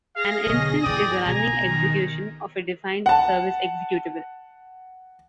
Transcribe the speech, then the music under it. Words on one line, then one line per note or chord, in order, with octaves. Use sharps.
An "instance" is a running execution of a defined service executable.
G#4 F5 A#6
B1 D3 C#4 D#5
G2 E3 D5 G5 D#6
B1 G#5 A#5
D#3
F#5 A5